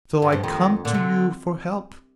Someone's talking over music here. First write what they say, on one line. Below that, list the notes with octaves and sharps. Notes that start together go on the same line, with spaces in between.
So I come to you for help.
G2 D#3
G2 F3
F2 D#3
A#2 D3
C3